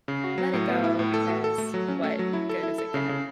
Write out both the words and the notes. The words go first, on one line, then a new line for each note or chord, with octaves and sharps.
let it go because what good is it gonna
C#3
F#4
F#3
A2
B3
E4
A2
A4
F#4
A4
A3
F#3
C#4
A3
F#3
E4
A4
E4
A4
C#3
C#3